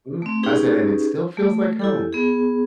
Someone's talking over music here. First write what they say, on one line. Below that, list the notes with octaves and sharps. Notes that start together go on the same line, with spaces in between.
Ooh. I said, and it still feels like home.
A3 C4
C#4 D#4 G4 G#4 B4
A3
E4 G4 A4
B3 G#4